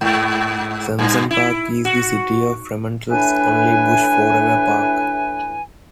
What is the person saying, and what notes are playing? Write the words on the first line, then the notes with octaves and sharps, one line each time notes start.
Samson Park is the city of Fremantle's only bush forever park.
G#2
G2
E4
F#4
A2 E3 D4 B4 G#5